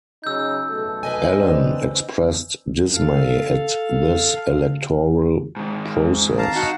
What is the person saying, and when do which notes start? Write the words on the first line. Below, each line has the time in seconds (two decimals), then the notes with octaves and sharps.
Alain expressed dismay at this electoral process.
0.24 C#3 F#3 D#4 E6 G6
0.69 B1 A3 A4
1.03 B4 D#5 G#5
1.36 C4 D4 D#4
2.95 A4 F5
5.57 G#2 D#3
6.38 F5 A5 A#5
6.55 D#4 F#4 F#5